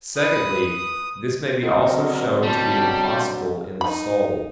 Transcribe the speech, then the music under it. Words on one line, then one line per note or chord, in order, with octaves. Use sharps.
Secondly, this may be also shown to be impossible in the soul.
B4 D#6
B2 D3 F#3 C4 A#4 D#5 F#5
G3 A5
D#4 B5